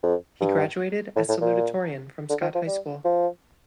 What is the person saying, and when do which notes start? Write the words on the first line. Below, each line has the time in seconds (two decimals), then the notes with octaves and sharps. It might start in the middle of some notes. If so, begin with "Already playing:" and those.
He graduated as salutatorian from Scott High School.
0.03 F2
0.41 G2
1.16 A2
1.29 A2
1.41 A#2
2.30 D3
2.41 F3
2.55 F3
2.67 G3
3.05 F3